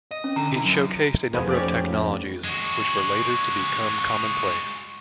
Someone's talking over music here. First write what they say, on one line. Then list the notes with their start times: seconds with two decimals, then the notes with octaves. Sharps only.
It showcased a number of technologies which were later to become commonplace.
0.11 D#5
0.24 C#4
0.36 D3 A#5
0.52 C3 E4
0.65 F#2
1.34 F2 F3 A3 B3 G#4
1.50 C#4 G4 D5
2.44 G#3 F#4